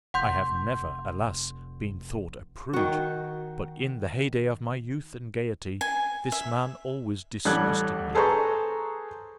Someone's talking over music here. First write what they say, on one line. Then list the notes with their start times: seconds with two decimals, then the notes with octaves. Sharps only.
I have never, alas! been thought a prude, but in the heyday of my youth and gaiety, this man always disgusted me.
0.14 F1 F#5 C6 G6
2.73 D#3 F#4
5.81 G#5
6.32 E5
7.45 A1 G3 A4 F#6 G#6
8.15 G#4 A4 B4 C5 A#5 C#6